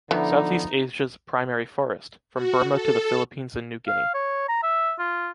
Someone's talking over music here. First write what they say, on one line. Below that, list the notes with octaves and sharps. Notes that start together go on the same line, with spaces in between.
Southeast Asia's primary forest, from Burma to the Philippines and New Guinea.
D3 E3 F3 B3 D#4
F#4
A4
F5
C#5
A#5
E5
F4